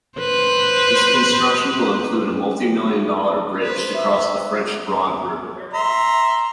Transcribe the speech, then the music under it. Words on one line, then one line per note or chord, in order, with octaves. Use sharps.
This construction will include a multimillion-dollar bridge to cross the French Broad River.
B4 C5
B4 C5
E5
E5 A#5 C6